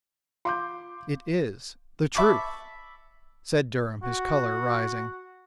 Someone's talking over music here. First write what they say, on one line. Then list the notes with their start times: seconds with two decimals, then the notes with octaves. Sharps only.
"It is the truth," said Durham, his color rising.
0.45 F4 F5 C6 D6 G6
2.15 E5 A5 B5 C#6 D6
4.03 F#4